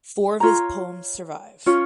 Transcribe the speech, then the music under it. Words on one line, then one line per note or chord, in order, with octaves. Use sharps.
Four of his poems survive.
F4 C#5 A#5
C#4 F4 C#5